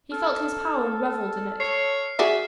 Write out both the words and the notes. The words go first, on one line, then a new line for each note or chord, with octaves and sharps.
He felt his power and revelled in it.
A4 F6
C#5 C7
F#4 G#4 D5 E5